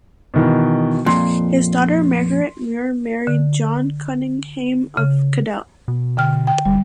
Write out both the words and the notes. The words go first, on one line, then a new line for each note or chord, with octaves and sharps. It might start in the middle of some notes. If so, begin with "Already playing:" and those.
His daughter Margaret Muir married John Cuninghame of Caddel.
B2 D#3 E3
F2 A#2 C6
D3
C#3
B2
D3 G5 F6
G5
F1 G3